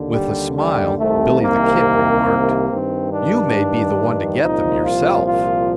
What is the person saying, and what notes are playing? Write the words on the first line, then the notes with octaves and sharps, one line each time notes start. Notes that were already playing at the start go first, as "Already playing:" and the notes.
With a smile, "Billy the Kid" remarked: "You may be the one to get them yourself."
Already playing: D#2 D3
G3
G3
C2 C3 D#3 A3
A#3
G2 D#3 C4
D4
C2 A#2 F3 D#4
F4
F4